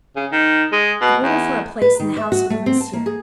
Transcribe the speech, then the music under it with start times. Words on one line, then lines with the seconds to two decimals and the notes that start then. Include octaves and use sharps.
"An order for a place in the household of Monsieur."
0.16 C#3
0.32 D#3
0.72 G#3
1.01 B2
1.23 E2
1.82 B4
2.00 D#3
2.17 E5
2.32 F#4
2.50 A3
2.66 C4
2.81 A5
2.93 A#3
3.06 G#4